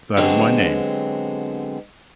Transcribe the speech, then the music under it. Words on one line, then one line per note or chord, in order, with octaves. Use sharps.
"That is my name."
D3 F#3 G#3 B3 C4 G4